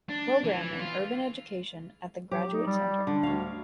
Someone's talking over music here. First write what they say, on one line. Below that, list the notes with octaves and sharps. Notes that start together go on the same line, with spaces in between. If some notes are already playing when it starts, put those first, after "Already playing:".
Program in Urban Education at The Graduate Center.
D4
E3
F4
F#3 G4
D#4
G3
D3
D2 C#5 F5